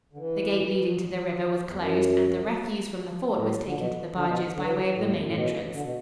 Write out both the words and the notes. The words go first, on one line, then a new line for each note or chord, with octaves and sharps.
The gate leading to the river was closed and the refuse from the fort was taken to the barges by way of the main entrance.
D3
E3
E2
F#2
A2
D3
B2
D3
B2
D3
D3
E3
D3
A2
E2
F#2
A2
B2
D3
B2